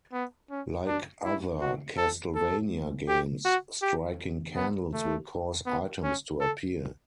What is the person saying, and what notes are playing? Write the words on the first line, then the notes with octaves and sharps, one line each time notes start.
Like other "Castlevania" games, striking candles will cause items to appear.
B3
C#4
D4
E4
F#4
A4
A4
G4
F#4
G4
B3
A3
B3
C#4
A4